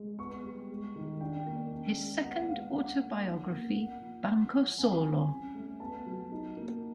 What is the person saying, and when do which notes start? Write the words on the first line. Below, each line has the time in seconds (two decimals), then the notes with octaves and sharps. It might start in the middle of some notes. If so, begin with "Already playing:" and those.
His second autobiography, Banco Solo!
Already playing: G#3
0.19 B3 C#6
0.44 G3
0.70 G#3
0.96 D#3
1.21 D4 G5
1.46 A#3
1.72 C#4
1.97 G#3
2.23 B3 F#5
2.48 G#3 F5
2.74 D4 F#5
3.00 A#3
3.25 D#4
3.51 A#3
3.76 A#3 F#5
4.02 F3
4.27 G3
4.53 E3
4.78 C4 G#5
5.04 G3
5.29 C#4
5.55 A3
5.80 B3 A5
6.06 F#3
6.31 D#4
6.57 A#3